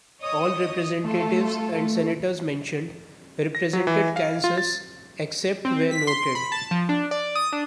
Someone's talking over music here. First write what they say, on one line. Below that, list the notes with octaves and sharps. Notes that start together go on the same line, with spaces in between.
All representatives and senators mentioned represented Kansas except where noted.
C#5 D#5 D#6
A3 F4 A4
A#6
F#3
E3
F5
F4
A6
C4
B6
C6
B5
A5
F3
D4
D5
D#6
D4